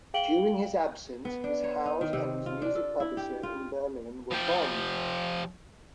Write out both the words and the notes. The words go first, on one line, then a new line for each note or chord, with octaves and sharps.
During his absence, his house and his music publisher in Berlin were bombed.
G#4 F5 G5 D7 F#7 G7
B3
D4
C#5
D#4
D#3
C3
F4
D4
A4
E4
G4
F4
F3 G4